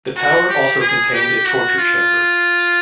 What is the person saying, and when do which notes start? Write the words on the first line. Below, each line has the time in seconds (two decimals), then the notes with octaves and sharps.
The tower also contained a torture chamber.
0.17 F#4
0.49 G4
0.81 G#4
1.14 G4
1.45 F#4
1.78 F4